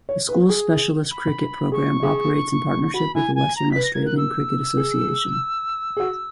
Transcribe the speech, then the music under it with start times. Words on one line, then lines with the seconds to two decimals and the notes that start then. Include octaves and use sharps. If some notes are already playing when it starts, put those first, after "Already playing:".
The school's specialist cricket program operates in partnership with the Western Australian Cricket Association.
0.09 C#5
0.29 B4
0.49 G#4
1.11 B5
1.72 G#4 C#6
2.03 G#4
2.94 F#4 B5
3.14 E4 G#5
3.35 G#5
3.56 A#5
3.71 B4 B6
3.83 A#6
3.94 A#4 G#6
4.06 F#6
4.17 E6
4.77 G#4
5.97 G#4
6.00 F#4